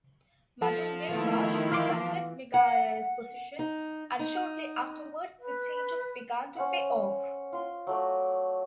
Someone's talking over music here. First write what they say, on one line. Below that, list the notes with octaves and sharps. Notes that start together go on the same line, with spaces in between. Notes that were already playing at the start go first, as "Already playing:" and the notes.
Martin Whitmarsh defended Michael's position, and shortly afterwards the changes began to pay off.
F3 A4
D#3 A3 B3 E4 F4
E3 F4 F5 C6 D6
F#5
D#4
D#4
B4
C#4 C5 F#5
F4 C6
F#3 A3 D5